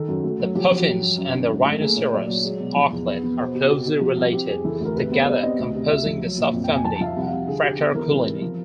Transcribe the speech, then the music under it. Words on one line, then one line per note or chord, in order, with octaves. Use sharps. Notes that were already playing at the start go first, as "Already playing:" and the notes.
The puffins and the rhinoceros auklet are closely related, together composing the subfamily Fraterculini.
Already playing: D#3 A4
F#2 F#4
A3 F#4
F#3
F3 G4
F3
F#4
F#3 G4
G2
F#2
D3
G#2
A3
A#3 G#4
A#2 C#5
F#3 D5
F#3
G#3
B2
F3
E2
B3
B3
B2 C5
B2 G4
F#4
B2 G4
B2 G4
F3 F#4
C2 G4
C4 G4
F2 G#4
E3 A4
G#4
D2 A#4
C3 B4
B3 C5
G3 D5
C4 D#5
D2
C3
D2 E5
F3
F#3
A#2
F2
G5
F2
G#5
F3 A5
A5
F3 E5 F5
C2
F#5
F5
C2
D3 G#4
G3 G4
B3
E3 A#4
C2
C2
F3